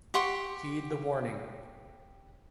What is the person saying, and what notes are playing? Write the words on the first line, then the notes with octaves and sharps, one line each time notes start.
Heed the warning.
G4 F#5 C6 C#6